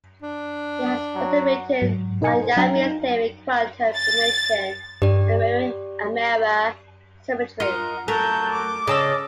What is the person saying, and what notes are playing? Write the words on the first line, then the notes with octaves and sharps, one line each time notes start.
He has further written on Yang-Mills theory, quantum information, and mirror symmetry.
D4
F#3
G#2 F#3
B2 D#4 A#4 D#5 G#5 C#7
A4 C5
F#3 D4 F5 G5 A#5
D#4
A6
G2 G4 D5
F4 A#4 D#5 F#5
F#3 A3 A#4 A5 G6
D6
C#3 D5 D#5 A5 E6